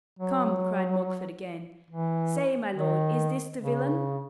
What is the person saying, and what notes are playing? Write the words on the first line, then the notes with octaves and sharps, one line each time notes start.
"Come," cried Mogford again; "say, my lord, is this the villain?"
F#3
E3
D#3
C#3